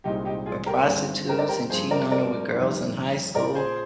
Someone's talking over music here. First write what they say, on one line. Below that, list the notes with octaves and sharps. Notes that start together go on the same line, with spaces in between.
with prostitutes and cheating on her with girls in high school,
C2 A#2 G#3 C4 D#4 G4
D#4 G4
F4 G#4
G4 A#4
G#1 G2 D3 G#3 C4
G4 A#4
A#4 D5
G4 A#4
G2 F3 G#3 C4 G#4 C5
A#4 D5
A#4 D5
G1 F2 D#3 G3
A#1 A#2 F3 A#4 D5
G#4 C5